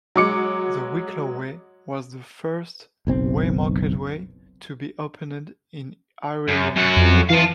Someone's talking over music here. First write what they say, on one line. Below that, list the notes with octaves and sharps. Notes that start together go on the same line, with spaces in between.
The Wicklow Way was the first waymarked way to be opened in Ireland.
F#3 G#3 D6 C#7
F#1 B1 C4
F#2
F#2 F#4
F2
E3 F5 A5